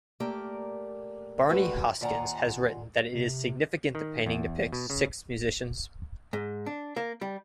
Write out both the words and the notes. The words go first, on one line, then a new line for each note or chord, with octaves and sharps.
Barney Hoskyns has written that it is significant the painting depicts six musicians.
A3 A#3 G4 A#4 D5
G2 G#3 A3 F#4 G4 B4
D#2 F4 D5 F#5 G#5 A#5
C3
D#3
E2
B2
C#3
G#2
D4
A#3
G3